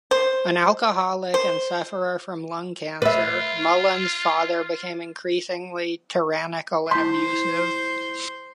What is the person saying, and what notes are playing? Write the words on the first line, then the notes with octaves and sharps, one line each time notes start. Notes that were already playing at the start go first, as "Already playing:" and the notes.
An alcoholic and sufferer from lung cancer, Mullan's father became increasingly tyrannical and abusive.
C5
C5
F4 B4 E5
E4 C5 C6 G6 B6